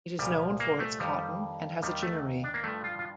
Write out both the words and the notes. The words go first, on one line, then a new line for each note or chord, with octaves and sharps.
It is known for its cotton and has a ginnery.
C2 A#2 F3 G3
A#3
A3
F2 D#3 G3
D#2 D#3 G3
A3
D4
A#3
G2 F3 A3
F4
F4